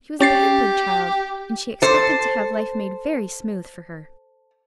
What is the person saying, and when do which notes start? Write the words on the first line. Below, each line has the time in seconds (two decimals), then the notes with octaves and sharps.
She was a pampered child, and she expected to have life made very smooth for her.
0.21 C#4 G4 A6 C7
1.82 A4 C5